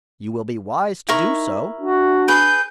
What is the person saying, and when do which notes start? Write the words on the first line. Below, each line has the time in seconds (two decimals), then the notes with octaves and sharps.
"You will be wise to do so."
1.09 D#4 E4 A#4 C#6
1.80 D4 F#4
2.28 G#4 B4 G6